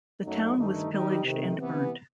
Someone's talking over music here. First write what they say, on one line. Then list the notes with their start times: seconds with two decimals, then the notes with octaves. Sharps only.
The town was pillaged and burnt.
0.22 F#2 F#3 A3 D#4
0.56 G2 D#3 A3 D#4
0.90 D#3 G3 D#4 G4
1.23 C3 D#3 A3
1.57 C3 E3 B3